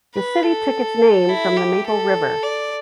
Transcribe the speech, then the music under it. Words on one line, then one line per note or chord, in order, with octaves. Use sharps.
The city took its name from the Maple River.
B4
A4
E4
G4
A4
D5